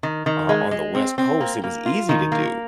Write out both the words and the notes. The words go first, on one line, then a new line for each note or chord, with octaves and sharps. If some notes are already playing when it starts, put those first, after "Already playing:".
o on the West Coast, it was easy to do,
D#3
D#3
G#3
G#3
C4
C4
A#3
A#3
F4
D#3
A#3